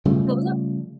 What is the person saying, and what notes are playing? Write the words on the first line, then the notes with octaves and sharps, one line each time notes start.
What was that?
C#3 F3 G3 A3